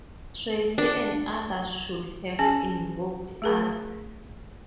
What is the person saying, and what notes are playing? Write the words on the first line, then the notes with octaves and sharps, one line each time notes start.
Tracey and others should have invoked Art.
D4
C#4 G#4 G#5 A5
A3 G#4 A#4